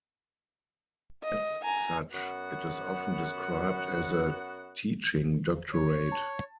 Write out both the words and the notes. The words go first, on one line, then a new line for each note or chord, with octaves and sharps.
As such, it is often described as a "teaching doctorate".
D#5
G#5 A#5
F#2 B3 F#4 F#5
C#5
A5